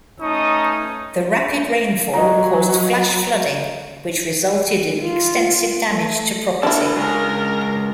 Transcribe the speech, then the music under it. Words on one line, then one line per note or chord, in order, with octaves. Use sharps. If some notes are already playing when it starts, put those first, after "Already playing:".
The rapid rain fall caused flash flooding, which resulted in extensive damage to property.
A3 C#4 D#4 A5 C#6 D#6
F#3 D#5 A#5
F4
A3
D4 E4 F#4 A4 A#4 A5
C#3 G#3 A#4 A#6